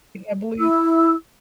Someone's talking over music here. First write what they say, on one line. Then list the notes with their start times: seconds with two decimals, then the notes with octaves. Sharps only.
I believe.
0.59 E4 E6